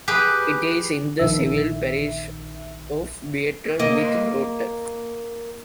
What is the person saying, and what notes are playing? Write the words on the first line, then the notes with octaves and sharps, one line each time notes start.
It is in the civil parish of Bierton with Broughton.
G4 G#4 B4
A#1 D#3 E5
A#3 D#5